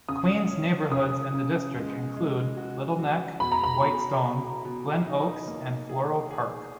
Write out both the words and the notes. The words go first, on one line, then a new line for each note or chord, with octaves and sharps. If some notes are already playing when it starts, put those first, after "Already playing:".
Queens neighborhoods in the district include Little Neck, Whitestone, Glen Oaks, and Floral Park.
C#3 D#6
C#4
C#3 D#6
C#3
G#3
G#3
F#4
F#4
B2 B5
A#5
B5
B2
B2
B2
D#4
A#3
G#4
G#4